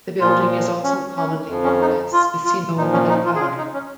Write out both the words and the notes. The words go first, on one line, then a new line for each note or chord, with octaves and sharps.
The building is also commonly known as "Casino Militar".
A#2 F3 F4
C#4
C#4
F2 F3
C#4
D#4
F4
F4
A#2 F3 D#4
C#4
D#4
F4
G#4
F4
D#4
C#4